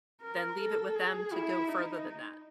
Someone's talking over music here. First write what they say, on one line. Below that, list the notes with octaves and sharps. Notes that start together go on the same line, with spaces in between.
then leave it with them to go further than that.
A#4
A4
G#4
E4
D#4